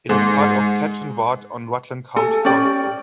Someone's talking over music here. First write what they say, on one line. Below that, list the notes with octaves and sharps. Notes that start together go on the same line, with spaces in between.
It is part of Ketton ward on Rutland County Council.
G#2
A4 G#5
C#4 G4 D5 G5